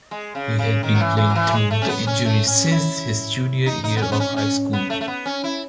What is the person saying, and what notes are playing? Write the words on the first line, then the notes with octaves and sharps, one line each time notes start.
He had been playing through the injury since his junior year of high school.
G#3
C#3
C#3
D#3
F#3
E3
E3
F#3
E3
A3
G#3
A3
C#4
B3
C#4
A3
C#4
E4
D#4
D#4
B3
C#4
B3
C#4
C#4
B3
A3
A3
B3
C#4
E4